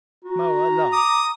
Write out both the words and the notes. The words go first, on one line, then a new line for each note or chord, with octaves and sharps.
Moa laughed.
F#4 A#5
D6 D#6